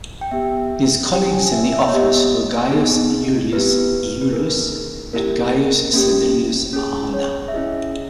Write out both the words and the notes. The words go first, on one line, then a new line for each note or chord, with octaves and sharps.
His colleagues in the office were Gaius Julius Iulus and Gaius Servilius Ahala.
G5
B3 G4 E5
C#4 E4 G4 G5
G#5
E5
E5
D#5
C#5
B3 G4 D#5
B3 D#4 G#4
B3 E4 G4 B4
B4
A#3 D#4 G#4 A#4
A#3 E4 G4 A#4
A#3 C#4 G4
C#4 G#4
C#5
E5
C#4 E4 G#4 D#5